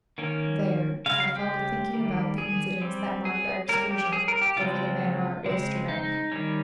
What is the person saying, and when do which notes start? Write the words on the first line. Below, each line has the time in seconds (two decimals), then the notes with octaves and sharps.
There I fell to thinking about the incidents that marked our excursion over the Mannar oysterbank.
0.18 D#3 A#3 C#4
1.06 C#3 G#3 C#4 F5
1.20 F5
1.36 G4
1.93 D#3 G3 A#3
2.38 G#4
2.82 G3 C4
3.25 G#4
3.69 G3 A#3 C#4 A#4
3.91 G4
4.12 G#4
4.28 A#4
4.42 G4
4.56 C#3 F3 G#3 C4 F4
5.45 C#3 G#3 C4
5.88 D#4
6.32 D#3 G3 C#4